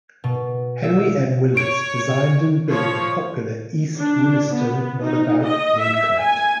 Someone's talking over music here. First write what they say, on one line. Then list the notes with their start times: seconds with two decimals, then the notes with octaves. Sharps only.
Henry M. Willis designed and built the popular East Williston Runabout Roadcart.
0.24 B2
0.83 E5
1.57 C#5 D7
2.67 F3 C#5
3.96 D4
4.52 B3
5.01 D#4
5.43 D#5
5.79 E5
6.19 G#5